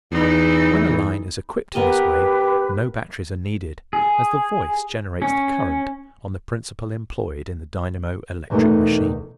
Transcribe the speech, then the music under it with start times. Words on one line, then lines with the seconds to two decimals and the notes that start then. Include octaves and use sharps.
When a line is equipped in this way no batteries are needed, as the voice generates the current, on the principle employed in the dynamo-electric machine.
0.12 E2 E3 D#4
1.75 B3 G4 A#4 B4 D#5
3.93 G#4
5.22 C#4
8.50 E2 B2 D3 D#3 A3